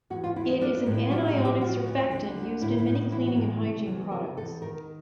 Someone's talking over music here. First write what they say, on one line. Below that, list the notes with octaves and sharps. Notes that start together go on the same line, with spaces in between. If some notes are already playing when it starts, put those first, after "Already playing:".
It is an anionic surfactant used in many cleaning and hygiene products.
E2 F#4
F4
E2 E4
D#4
F3 D4
D4
A2
E4
F3 F#4
G4
A2
G4
F3 F#4
D2
D3
D2
A2 E4
E4
A2
D#4
E3 E4
F#4
A2
C3
E2
C3 A#4
E2 A4
D#3 A#4